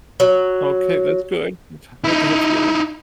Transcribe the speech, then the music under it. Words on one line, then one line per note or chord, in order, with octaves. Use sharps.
Okay, that's good. That's good to have feelings.
F#3
D#4 E4